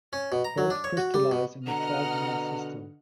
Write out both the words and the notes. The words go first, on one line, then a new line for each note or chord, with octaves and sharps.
Both crystallize in the trigonal system.
C#4
B2
A#5
F#3
D4
C#5
F#4
G3
B2
B2 D3 D#5 F#5 A#5 F6